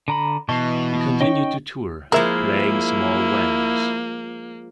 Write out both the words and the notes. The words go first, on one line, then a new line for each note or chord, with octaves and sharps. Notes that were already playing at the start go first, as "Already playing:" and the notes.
He continued to tour, playing small venues.
D3 A#5 B5
B2 E3 D#5 A5 C#6 C7
C#4 D#4 C#5 D#5 G5 C#6
F3 G#3 A#3 E4 A#4 E5